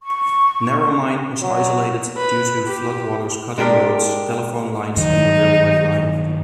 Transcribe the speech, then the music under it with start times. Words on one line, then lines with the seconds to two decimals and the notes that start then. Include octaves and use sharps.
Narromine was isolated due to floodwaters cutting roads, telephone lines and the railway line.
0.03 C#6
1.42 F#3
2.17 B4
2.68 G4
3.58 G#3 D4 G4 A#4
4.97 G2 D#3 F#3 D#4